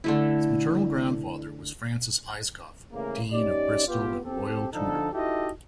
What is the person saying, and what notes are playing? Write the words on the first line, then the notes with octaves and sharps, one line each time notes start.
His maternal grandfather was Francis Ayscough, Dean of Bristol and royal tutor.
D3 A3 E4
E2 C#3 A3 A#3
C#4 D#4 G4 D5
B3 F4 G4
C4 G4 A4
D3 F3 D4 D#4 A4
D#4 E4 F#4 G4 A4 D#5